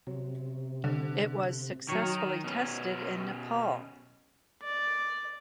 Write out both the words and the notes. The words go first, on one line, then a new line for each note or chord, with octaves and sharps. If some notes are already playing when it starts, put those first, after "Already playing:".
It was successfully tested in Nepal.
C3 F#3
D3
D#3 F#3 C#5
B2 C#4
D5